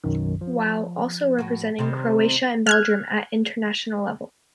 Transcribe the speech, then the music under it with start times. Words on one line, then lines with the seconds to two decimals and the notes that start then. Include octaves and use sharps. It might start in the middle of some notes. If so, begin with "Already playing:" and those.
While also representing Croatia and Belgium at international level.
0.04 B1 F#2 D#3
0.41 F3
1.39 A2 F#4
1.79 C3 D#3 G3
2.67 F6 F#6 G#6